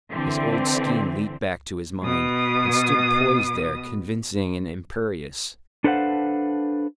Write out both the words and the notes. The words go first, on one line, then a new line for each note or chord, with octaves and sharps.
His old scheme leaped back to his mind, and stood poised there convincing and imperious.
D3 E3 C4
B2 D#6
D4 A4 B4 C5 F5 F#5